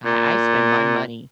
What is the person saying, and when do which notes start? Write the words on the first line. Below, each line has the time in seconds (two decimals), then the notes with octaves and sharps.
I I spend my money
0.05 A#2